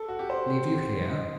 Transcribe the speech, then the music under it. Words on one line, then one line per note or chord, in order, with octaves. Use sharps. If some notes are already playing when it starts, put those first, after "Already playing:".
"Leave you here!"
Already playing: A4
F#4
G4
C5
D#5